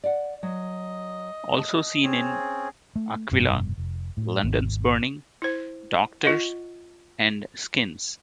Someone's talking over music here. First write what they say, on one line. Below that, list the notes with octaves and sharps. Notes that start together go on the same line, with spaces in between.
Also seen in "Aquila", "London's Burning", "Doctors" and "Skins".
D5 F#5
F#3 D#5
A5
C4 C#4 G#4
A3
F1 G2 B2
F1
A2
G#1 D#2
E4 C5
F4 D#5 F#5